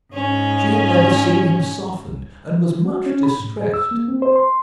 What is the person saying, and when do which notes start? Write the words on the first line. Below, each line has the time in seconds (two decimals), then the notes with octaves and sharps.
She had never seen him softened, and was much distressed.
0.12 G#2 C#4
2.85 F#4
3.06 C#4
3.23 B5
3.40 A2
3.57 G#4
3.74 E6
3.91 A#3
4.08 C4
4.22 C5
4.36 C6